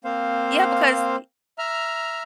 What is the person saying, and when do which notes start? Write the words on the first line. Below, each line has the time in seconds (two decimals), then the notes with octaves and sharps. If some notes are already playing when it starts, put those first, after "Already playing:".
Yeah, because y
0.04 A#3 C4 C5 F5
1.58 E5 A#5 F6